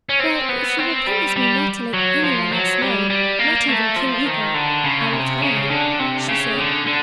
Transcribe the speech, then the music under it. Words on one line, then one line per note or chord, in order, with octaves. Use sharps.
"Well, if you will promise me not to let any one else know, not even King Eagle, I will tell you," she said.
C#4
C4
B3
C4
G3
G3
F#3
F3
F#3
G3
G3
A#3
A3
F3
D#3
D3
C#3
C3
C#3
D3
C3
C#3
D3
D3